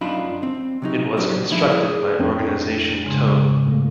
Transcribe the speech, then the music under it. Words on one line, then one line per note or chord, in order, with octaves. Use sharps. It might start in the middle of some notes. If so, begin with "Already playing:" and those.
It was constructed by Organisation Todt.
F#2 D4 D#4 F4 B5
C4
C3 F#3 D#4
F#3 A#3 D4 G4 C5
F3 G3 A#3 D#4 E4
G#4
F2 C4 D4 G5
G#2 C#3 G#3
A2 A#3